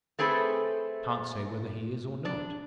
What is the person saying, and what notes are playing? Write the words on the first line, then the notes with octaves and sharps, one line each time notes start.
"Can't say whether he is, or not."
A3 C4 G#4 A4 B4
D4 D5